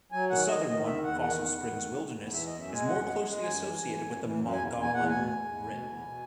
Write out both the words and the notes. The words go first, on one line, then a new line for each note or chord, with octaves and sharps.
The southern one, Fossil Springs Wilderness, is more closely associated with the Mogollon Rim.
F#3 G#5
D#3 F#5
D#3 D#5
D#3 D#5
E2 E5
E2 F#5
D#3 F#5
E2
D#3
E2
E2
E2
E3 E5
F#2 D#5
E5
G#3 G#5
F#2 F#5
G#3
G#3
F#2 G#5
E3
E3
F#2
E3
F#2
E2 G#5
E2
G#5
E2 F#5
B2 G#5
E2
E2
B2
E2
B2